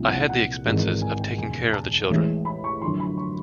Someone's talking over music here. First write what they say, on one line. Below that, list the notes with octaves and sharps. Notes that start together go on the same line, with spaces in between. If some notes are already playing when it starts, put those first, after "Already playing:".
I had the expenses of taking care of the children.
Already playing: C2 A#2 F3
F#5
F#5
G#1 G#2 E3
G#5
G5
E1 D2 C#3 F3 G#5
A5
A1 A2 E3 G#3
B5
C#6
F#2 D3 F3 C6
B5
C#6